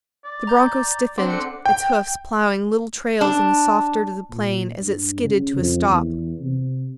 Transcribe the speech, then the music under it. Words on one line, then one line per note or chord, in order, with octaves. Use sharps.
The broncho stiffened, its hoofs ploughing little trails in the soft dirt of the plain as it skidded to a stop.
D5
A#5 G6
C4 D4 F#5
A4 F#6 C#7
G5
D4
A#2
G2
C#3
F2
E2
C3